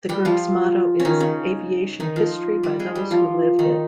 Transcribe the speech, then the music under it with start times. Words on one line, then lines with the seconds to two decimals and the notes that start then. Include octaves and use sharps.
The group's motto is "Aviation History by those Who Lived It".
0.09 G3 G4
0.25 F3 F4
1.00 C#4
1.05 D#3 D#4
1.20 C#3 C#4
2.00 D#3 D#4
2.16 F3 F4
2.63 G3 G4
2.79 G#3 G#4
2.95 G3 G4
3.11 F3 F4
3.59 D#3 D#4